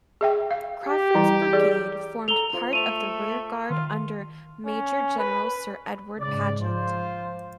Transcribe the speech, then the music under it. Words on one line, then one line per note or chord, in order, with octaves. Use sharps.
Craufurd's Brigade formed part of the rearguard under Major General Sir Edward Paget.
G#4 E5 G5
F5
G4
E3 G3 E4
G#4 D5
A4 A#5 F7 G7
F4 C5 F5
A3 D#7 F7
D#3 F4
C#4
B4
G#2 C#3 D5
F3 F4 C5